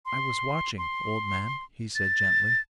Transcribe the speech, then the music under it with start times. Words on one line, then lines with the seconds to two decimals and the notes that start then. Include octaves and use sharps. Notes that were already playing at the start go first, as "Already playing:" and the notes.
"I was watching, old man," he said gently.
0.05 C6
0.78 C6
1.95 A6